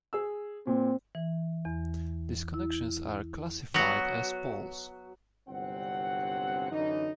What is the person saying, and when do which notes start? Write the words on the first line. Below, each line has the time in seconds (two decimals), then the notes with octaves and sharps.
These connections are classified as poles.
0.13 G#4 E6
0.67 A#2 C4
1.15 E3
1.65 E2
2.54 E4
3.74 F#3 B3 F#4
5.49 G1 C2 G2 F#3 C4 F#5
6.71 F#2 D3 E3 C#4 D#4